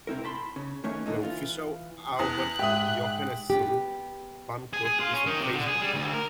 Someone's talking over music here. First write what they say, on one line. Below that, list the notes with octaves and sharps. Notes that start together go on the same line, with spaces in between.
The official Albert Johanneson Fan Club is on Facebook.
C3 C4 E4 A#4
A5 B5 C6
C#3
D#3 E3 A3 A#3 C#4
A#2 D3 E3 A3 D#4
E3 F4
E2 D#6 F#6
G#2 G#3 G4 E5 D#6
B3 G4
G#4
G#4
F4
C#4
D#3
C3
D3
G#4
G3
D2
A#4